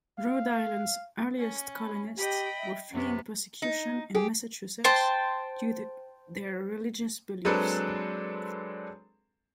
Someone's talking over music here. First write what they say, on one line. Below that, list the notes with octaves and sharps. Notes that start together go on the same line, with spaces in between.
Rhode Island's earliest colonists were fleeing persecution in Massachusetts due to their religious beliefs.
F5
C#4
B5
G4 D#5 G5 B5
E5
F#2 C3 B3 C#4
D#4
G4 G#4
C5 G5 A5 C6
F#3 G#3 C4 D4 A4 B4